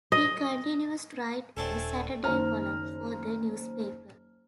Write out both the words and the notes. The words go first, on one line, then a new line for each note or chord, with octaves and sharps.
He continues to write a Saturday column for the newspaper.
D#5
D#1 A3 C4 D4 A4 G#5
F#1 D#3 C5 A#5 F6